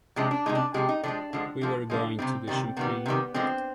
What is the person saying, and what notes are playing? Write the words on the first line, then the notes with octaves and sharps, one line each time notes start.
We were going to the Champagne.
C3 F3 G#3 D4
D4
C3 F3 G#3 D#4
D4
C3 F3 G#3 G4
D#4
D3 F3 G#3 D4
D3 F3 G#3
D3 F3 G#3
D3 F3 G#3
C3 D#3 G3 C4
C3 D#3 G3
C3 D#3 G3 B3
C3 D#3 G3
D3 F3 G#3 C4